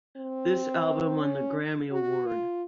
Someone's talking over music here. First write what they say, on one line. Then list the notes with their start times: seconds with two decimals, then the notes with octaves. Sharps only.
This album won the Grammy Award.
0.16 C4
1.21 C#4
1.92 F#4
2.26 F4